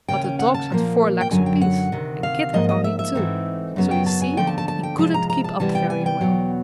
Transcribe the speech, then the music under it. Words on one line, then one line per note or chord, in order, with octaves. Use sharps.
But the dogs had four legs apiece, and Kit had only two; so you see he couldn't keep up very well.
D#2 C#3 C#4 G5
G5
F#5
A5
A#2 F3 A#3
G5
F#2 D3 F#3 G#5
G5
F#5
D2 C3 D#3
F5
G#2 F3 A#3 D#5
D#5
E5
E5
G#2 E3 A3 C4 D#4
F#2 C#3 F#3 B3
G5
A5
G#5
D#2 D3 F3 A3 G5
A5
A5
A5
G5
C3 F3 G#3 A5
A#5
A#5
A5
C3 E3 G3 B3 A5
G5
G#5
G5
E2 B2 F#3